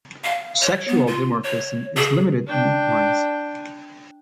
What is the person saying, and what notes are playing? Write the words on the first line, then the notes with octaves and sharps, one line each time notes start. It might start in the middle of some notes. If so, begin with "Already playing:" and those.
Sexual dimorphism is limited in equines.
F5
C#5
B3
F4
C#5
G#4
D4 G5